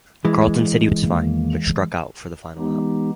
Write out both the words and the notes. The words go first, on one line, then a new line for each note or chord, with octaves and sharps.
Carlton said he was fine, but struck out for the final out.
E3 G#3
E2 D#3 A#3
E3 G#3 B3 D#4 G4